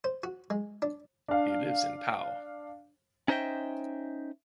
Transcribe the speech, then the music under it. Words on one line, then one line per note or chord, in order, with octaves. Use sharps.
He lives in Pau.
C5
F#4
G#3
D4
D4 F5
C#4 D#4 C5 D#5 E5 G5